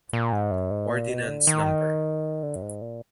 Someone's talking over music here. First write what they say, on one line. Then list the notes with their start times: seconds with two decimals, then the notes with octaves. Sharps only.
Ordinance no.
0.13 A#2
0.32 G#2
0.51 F#2
0.71 G#2
0.89 A#2
1.09 B2
1.28 D3
1.47 D#3
2.43 D3
2.56 F#2
2.62 G#2
2.82 A#2